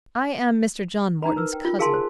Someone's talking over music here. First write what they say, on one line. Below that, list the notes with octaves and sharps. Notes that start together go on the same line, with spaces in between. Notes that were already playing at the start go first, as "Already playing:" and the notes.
"I am Mr. John Morton's cousin."
D#4 A#5 B5
A#4 B4 E6
G5
F4
G#4 A#4 F5 G#5 A5 C6
C5